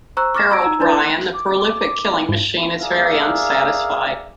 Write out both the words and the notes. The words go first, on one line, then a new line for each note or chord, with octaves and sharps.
Harold Ryan, the prolific killing machine, is very unsatisfied.
C5 A#5 C#6 E6 F#6
C#6 D6 F6 A6 A#6 E7
A#5 C#6 E6 G#6 A#6 D7
D#4 A#5 E6
D4 E4 B4 D5 G6 A6
C6 F#6
D6
G#2
G#4 A#4 D5 E5 F5